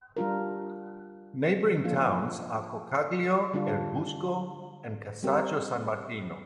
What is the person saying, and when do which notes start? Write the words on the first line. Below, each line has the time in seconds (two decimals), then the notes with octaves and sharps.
Neighbouring towns are Coccaglio, Erbusco and Cazzago San Martino.
0.17 G3 D4 F4 A#4
1.84 F3 A#3 D4 F4
3.53 D3 G3 D4 F4
5.23 G3 C4 G4 A#4